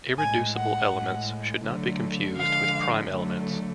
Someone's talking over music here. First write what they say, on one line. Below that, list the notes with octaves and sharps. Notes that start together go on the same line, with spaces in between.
Irreducible elements should not be confused with prime elements.
A2 G#3 G#5
F#5
A2 G#3
D3 F#3 A3
D3 F3 G#3 F5
D3 F#3 A3